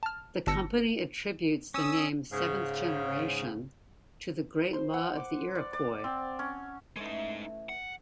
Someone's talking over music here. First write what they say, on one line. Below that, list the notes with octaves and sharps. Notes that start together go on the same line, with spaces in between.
The company attributes the name "Seventh Generation" to the "Great Law of the Iroquois".
A5 F6
G1 A5 E6 A#6 C#7
C#4 D#6 E6
G#2 C#3
C5
F#5
D6
D5
D5
C4
C#4
E3 G#3 A3 C#4 D#4
F#5